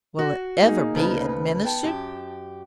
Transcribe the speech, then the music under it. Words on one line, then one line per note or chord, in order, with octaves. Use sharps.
Will it ever be administered?
F#4
A#3 D#4 G#4
D2 C#3 B4
B3 G5 A5
F#2 G4